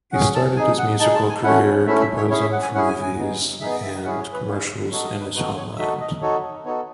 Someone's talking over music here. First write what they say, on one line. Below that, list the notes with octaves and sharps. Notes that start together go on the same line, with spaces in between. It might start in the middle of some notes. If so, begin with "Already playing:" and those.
He started his musical career composing for movies and commercials in his homeland.
C#4 G#4 F#5
A5
D#4 G#4 G#5
F#5
D#4 G#4 A5
A5
G#5
A3 C#4 E4 F#5
A3 C#4 E4 E5
E5
C#5
C#4 E4 G#4 C#5
E5
F#5
G#5
C#4 E4 G#4 F#5
G#5
G#5
B3 D#4 G#4
B3 D#4 G#4 E5
E5
C#4 E4 G#4 F#5
C#5
B4
C#4 E4 G#4
D#4 F#4 A4 C#5
D#5
B4
D#4 F#4 A4 B4
C#5
D#4 F#4 A4 E5
D#5
D#4 F#4 A4 C#5
B3 D#4 F#4 A4 C#5